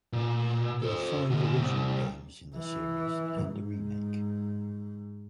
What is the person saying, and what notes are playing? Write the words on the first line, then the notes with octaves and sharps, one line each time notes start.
There are five original games in the series, and a remake.
A#2
A4 C5
D3 B3
C2
E3
G#2